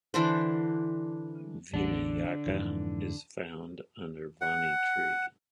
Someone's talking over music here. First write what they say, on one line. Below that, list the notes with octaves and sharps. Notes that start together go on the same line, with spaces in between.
Vinayaka is found under Vanni Tree.
D3 E3 D4 C5
A1 E2 D3 D4
F2 G#2 E3
F#5